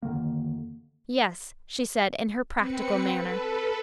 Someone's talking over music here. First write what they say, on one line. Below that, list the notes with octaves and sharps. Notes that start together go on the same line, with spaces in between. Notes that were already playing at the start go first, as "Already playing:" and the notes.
"Yes," she said, in her practical manner.
F1 D3 D#3 A#3
C4 B4 C#7
A4 B4